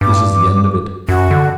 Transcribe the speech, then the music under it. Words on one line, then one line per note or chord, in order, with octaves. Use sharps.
This is the end of it.
G2 D6
F#2 F#4
D3